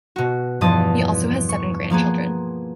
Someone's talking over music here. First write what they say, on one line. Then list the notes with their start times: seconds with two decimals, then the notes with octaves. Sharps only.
He also has seven grandchildren.
0.16 B2 F#4
0.61 E2 G2 B2 F3 A5 D#6
1.49 C#6
1.90 F3 A#3 B3 G#4